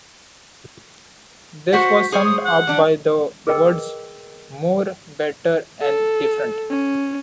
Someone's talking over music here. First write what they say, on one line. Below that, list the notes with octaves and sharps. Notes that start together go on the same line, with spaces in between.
This was summed up by the words "more, better and different".
F#4 C5 F#5 B6
G#4 C5 C#5
D#6
F#5
G3 D4
G#4 A#4 B4 D#5 G5 E6
A4
C#4